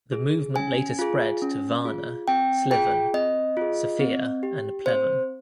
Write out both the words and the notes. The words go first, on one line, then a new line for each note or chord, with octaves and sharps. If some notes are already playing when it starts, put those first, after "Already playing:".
The movement later spread to Varna, Sliven, Sofia, and Pleven.
G#4
C#4 G#5
F4 G#4
C#4
F4 G#4
C4 G5
F4 G#4 G5
C4 D#5
F4 G#4
C4
G4
C4 C5